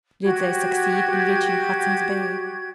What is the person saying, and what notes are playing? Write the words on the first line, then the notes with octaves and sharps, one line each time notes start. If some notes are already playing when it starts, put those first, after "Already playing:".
Did they succeed in reaching Hudson's Bay?
F#4 G4 G#6